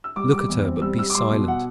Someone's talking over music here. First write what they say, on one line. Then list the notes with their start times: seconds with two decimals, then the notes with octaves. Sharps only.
Look at her, but be silent.
0.04 E6
0.16 G3 D6
0.32 G3 D6
0.49 E2
0.65 C4
0.81 G3 E6
0.98 G3 E6
1.10 D6
1.15 G3 C6
1.31 B2
1.48 F#5